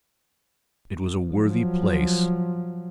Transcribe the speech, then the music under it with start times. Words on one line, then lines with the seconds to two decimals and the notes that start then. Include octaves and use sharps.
It was a worthy place.
1.32 F3 F#3